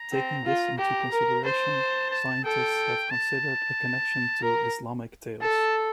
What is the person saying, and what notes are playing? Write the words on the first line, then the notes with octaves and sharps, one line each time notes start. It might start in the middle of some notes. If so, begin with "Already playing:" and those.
Taking this into consideration, scientists have considered a connection to Islamic tales.
Already playing: A#5
C4
F4
G4 A#5
A#4
C5 A5
A5
A4 G5
A5
A#4 A#5
A4 A5